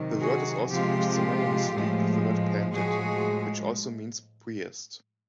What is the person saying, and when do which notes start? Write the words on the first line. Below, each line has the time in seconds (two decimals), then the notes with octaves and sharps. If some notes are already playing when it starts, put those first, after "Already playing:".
The word is also used synonymously with the word "pandit", which also means "priest".
Already playing: C3 D#3 F#3
0.20 F#4 G#4
0.71 C3 F3 G#3 F4 G4
1.72 A2 F3 G#3
2.73 A2 F3 G#3 F#4 G#4